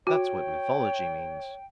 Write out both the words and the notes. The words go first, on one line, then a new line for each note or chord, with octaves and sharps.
That's what mythology means.
F#4 C#5 G5